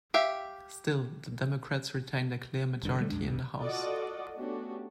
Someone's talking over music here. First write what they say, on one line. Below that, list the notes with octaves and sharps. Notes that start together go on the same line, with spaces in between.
Still, the Democrats retained a clear majority in the House.
G4 E5 F5
F1 G2 D3
D3 G3 A3
B1 F2 G#3 D4
D#1 C2 G2
F4 F#4 A4 D5 D#5 F#5
A3 B3 C#4 D4 F#4 G4